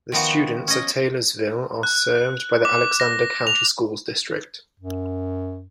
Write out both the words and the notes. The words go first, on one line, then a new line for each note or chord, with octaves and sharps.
The students of Taylorsville are served by the Alexander County Schools district.
D#3 F3 B3 F#4
C#4 D#5
F#6
D6
A#6
F7
F#2